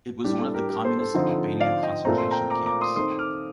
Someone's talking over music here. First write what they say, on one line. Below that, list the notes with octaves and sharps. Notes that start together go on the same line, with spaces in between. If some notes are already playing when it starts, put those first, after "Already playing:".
It was one of the Communist Albania concentration camps.
A2 G3 D4 G4
A4
G4 A#4
G4 A#4
A4 C5
A4 C5
D3 F3 C4 D#4
D5 F5
D#5 G5
A#2 A3 C4 A#5
C6
G5 A#5
A#5 D6
A#5 D6
C6 D#6
D#3 A3 C4 D#4 C6 D#6
D6 F6